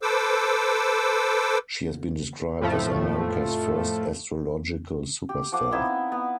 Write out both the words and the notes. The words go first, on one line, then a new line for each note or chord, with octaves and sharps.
She has been described as "America's first astrological superstar".
A4 B4 C5 D6 E6
F2 A2 F3 A3
G4
F3 F#5 D6
B3 C4 D#4 E4
B3